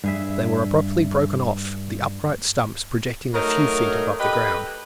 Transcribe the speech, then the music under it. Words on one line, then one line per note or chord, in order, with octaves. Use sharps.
They were abruptly broken off, the upright stumps projecting a few feet above the ground.
G2 G#4 E5
F#3 A3 D#4 A#4
G4 A4 B4 D#5 B5